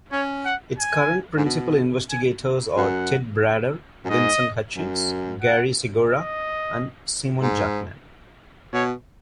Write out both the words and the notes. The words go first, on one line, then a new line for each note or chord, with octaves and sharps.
Its current principal investigators are Ted Brader, Vincent Hutchings, Gary Segura, and Simon Jackman.
C#4 C#5
F#5
G#5
G#2
B2
G#5
F#2 F#5
F#2
G#2 D#5
F#2
F#5
D#5
G#2
B2 C#5